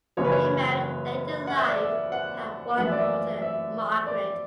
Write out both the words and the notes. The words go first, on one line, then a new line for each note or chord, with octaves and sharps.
He married late in life and had one daughter, Margaret.
F#1 F#2 C#3 E3 C#5
B4
C#5
F#5
E5
D5
E5
F#5
F#2 E3 A3 C#4 F#5
E5
D5
E5
E5
D5